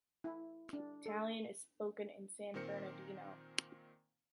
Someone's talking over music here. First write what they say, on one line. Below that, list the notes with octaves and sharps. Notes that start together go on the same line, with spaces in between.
Italian is spoken in San Bernardino.
E4
D4
A4
A#2 D#3 C4 A#4 C5 C#7